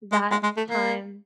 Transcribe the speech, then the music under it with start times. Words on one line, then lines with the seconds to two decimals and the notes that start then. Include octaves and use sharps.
that time
0.12 G#3
0.31 G#3
0.43 G#3
0.57 A3
0.70 A#3